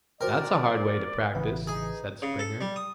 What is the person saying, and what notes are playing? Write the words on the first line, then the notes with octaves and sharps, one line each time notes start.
"That's a hard way to practice," said Springer.
F#4 A#4 C5 D5 G5
A1 C#3 E3 B3 B4
D#4 G#4
C#3
A4
G3
D#6